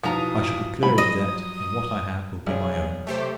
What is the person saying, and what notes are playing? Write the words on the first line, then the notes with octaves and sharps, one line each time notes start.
I shall be clear of debt, and what I have will be my own.
B1 E2 F3 A#5 D#6
F3 F#3 B5
D#5 D#6
B1 G#4 C#5 D5
C3 A3 G4 C5